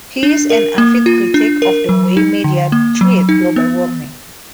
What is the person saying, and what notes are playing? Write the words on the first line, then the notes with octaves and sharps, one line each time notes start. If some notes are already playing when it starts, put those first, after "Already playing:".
He is an avid critic of the way media treat global warming.
D4
A#4
A#3
F4
D4
A#4
F#3
D#4
D3
A#3
F#3
D#4
B3